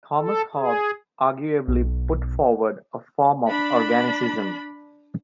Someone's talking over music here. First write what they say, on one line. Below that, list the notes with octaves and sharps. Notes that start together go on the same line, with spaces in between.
Thomas Hobbes arguably put forward a form of organicism.
A4
G#4
B1
D4 B5